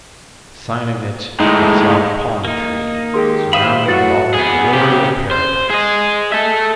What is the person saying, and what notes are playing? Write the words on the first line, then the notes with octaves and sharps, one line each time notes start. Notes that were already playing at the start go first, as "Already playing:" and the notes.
In sign of it I saw a palm-tree, surrounded with all the glory of paradise.
A2 G#3 D#4
A#3 D#4
D#3 G#3 G4 G#4 A#4 C6
C5 E5 F5 B5 D#6 D#7
F#3 A3 E4 F#4 B4 A6
B3 G#4
C#3 G4
C5
G#4 D#5
A4 E5